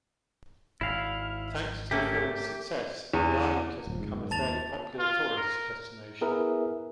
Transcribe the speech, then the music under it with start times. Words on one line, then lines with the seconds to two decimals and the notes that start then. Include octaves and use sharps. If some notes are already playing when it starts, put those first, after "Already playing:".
Thanks to the film's success, the island has become a fairly popular tourist destination.
0.81 G#1 E4 F5
1.91 A3 A#3 C#4 G4
3.14 E2
3.87 D1 F3
4.00 F#1 G#2
4.31 D#2 A5 A6 F7
4.99 F4
5.37 A#4
6.21 B3 E4 G#4 A#4 B4 E5